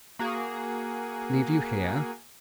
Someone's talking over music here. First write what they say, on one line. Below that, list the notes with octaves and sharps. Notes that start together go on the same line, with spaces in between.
"Leave you here!"
A#3 F#4 G#4